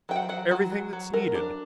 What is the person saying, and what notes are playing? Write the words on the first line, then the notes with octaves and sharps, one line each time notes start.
Everything that's needed.
F#3 G5
F#5
F#3 F#5
F#3
F#3
F#3
F#3 A#4
D4